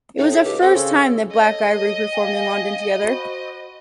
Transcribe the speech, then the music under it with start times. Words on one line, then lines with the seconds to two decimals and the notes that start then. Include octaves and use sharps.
It was the first time that Black Ivory performed in London together.
0.19 A2 D#4
0.32 G#4
0.44 C#2 G4
0.61 C4 A4
0.75 C#3
1.32 A4 C#5 D#5
2.14 F5 G5 G#5
3.00 F#4 C5 B5